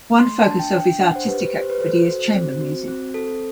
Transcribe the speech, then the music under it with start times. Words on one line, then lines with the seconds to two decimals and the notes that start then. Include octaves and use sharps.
One focus of his artistic activity is chamber music.
0.19 A3 C6
0.40 A5
0.46 D4
0.59 G5
0.73 D4
0.80 G5
1.00 D4 F#5
1.16 C5
1.26 G4 B4
1.54 G4 C5
1.70 B4
1.80 A4 C5
2.07 F#4
2.34 C4
2.61 F#4
2.88 C4
3.14 A4